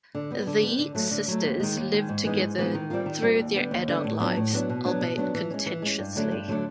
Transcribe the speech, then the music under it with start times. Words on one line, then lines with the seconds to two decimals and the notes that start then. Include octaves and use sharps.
The Yeats sisters lived together through their adult lives, albeit contentiously.
0.15 D3
0.31 G3 B3
0.47 D3
0.63 G3 B3
0.79 D3
0.95 F#3 A3
1.11 D3
1.28 F#3 A3
1.44 D#2
1.60 D#3 G#3
1.77 D#2
1.93 D#3 G#3
2.09 G#2
2.25 E3 G#3 B3 D#4
2.41 G#2
2.58 E3 G#3 B3 D#4
2.74 D#3
2.90 G3 C4 F4 A#4
3.06 D#3
3.22 G3 C4 F4 A#4
3.39 D#2
3.56 D3 G3 B3
3.71 D#2
3.88 D3 G3 B3
4.04 A2
4.20 F#3 B3 D4
4.36 A2
4.53 F#3 B3 D4
4.69 B2
4.85 F#3 B3 D4
5.01 B2
5.18 F#3 B3 D4
5.34 E3
5.50 G#3 C#4
5.66 E3
5.82 G#3 C#4
5.99 G2
6.16 D3 F#3 A3 D4
6.31 G2
6.48 D3 F#3 A3 D4